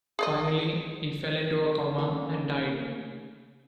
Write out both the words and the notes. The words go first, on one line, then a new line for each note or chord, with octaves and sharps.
Finally, he fell into a coma and died.
G#4 D5 D#5
D#3 A3 A#3 C#4